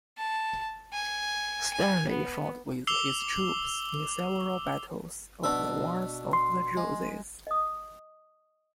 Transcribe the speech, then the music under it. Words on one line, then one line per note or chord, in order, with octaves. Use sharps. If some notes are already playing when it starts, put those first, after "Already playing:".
Stanley fought with his troops in several battles of the Wars of the Roses.
A5
G#5
G#5
B3
D6 E6 C7 F7 G7
B2 D4 E5
C6
G#3
D#5 D#6